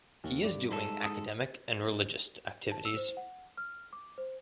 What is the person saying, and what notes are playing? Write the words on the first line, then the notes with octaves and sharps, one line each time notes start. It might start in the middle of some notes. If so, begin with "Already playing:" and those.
He is doing academic and religious activities.
D#2
G2 D5
G#2 A4
D#6
A5
E6
C5
F#5
F6
D6
C5